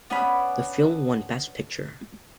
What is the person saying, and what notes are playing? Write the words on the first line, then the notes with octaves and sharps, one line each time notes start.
The film won Best Picture.
B3 C#4 D4 B5